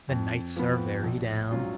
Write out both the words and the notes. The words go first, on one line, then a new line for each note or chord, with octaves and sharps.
"The nights are very damp!"
F2
F3 B3
A#1
G#2 F#3 C#4 F4